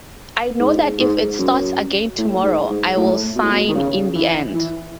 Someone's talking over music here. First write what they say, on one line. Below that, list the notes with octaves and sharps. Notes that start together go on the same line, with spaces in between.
I know that if it starts again tomorrow, I will sign in the end.
G#2
G#2
F#2
A2
G#2
G#2
A2
B2
A2
B2
D#3
C#3
E3
E3